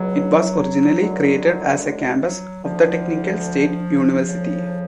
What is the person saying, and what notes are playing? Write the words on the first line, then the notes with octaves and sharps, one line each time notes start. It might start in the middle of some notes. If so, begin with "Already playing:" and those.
It was originally created as a campus of the Technical State University.
Already playing: C#2 B2 F#3
F#2 D3 F#3
F#3
G#3
F#3
D2 D3 F3
F2 C#3